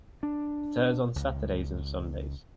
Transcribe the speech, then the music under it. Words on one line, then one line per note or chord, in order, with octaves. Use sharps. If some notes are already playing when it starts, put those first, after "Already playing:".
It airs on Saturdays and Sundays.
D4
C#2